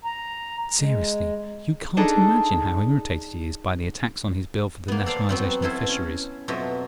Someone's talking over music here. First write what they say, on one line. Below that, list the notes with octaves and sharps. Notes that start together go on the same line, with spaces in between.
But seriously, you can't imagine how irritated he is by the attacks on his Bill for the Nationalisation of Fisheries.
A#5
G#3
D4 D#4 G#4 A4
A#3 B3
A4 C5 D5 F5
F#3 B3 C4
B3 C#4 E4 A4 C5 E5
C#4
F2 B2 F3 F#3 D#5 E5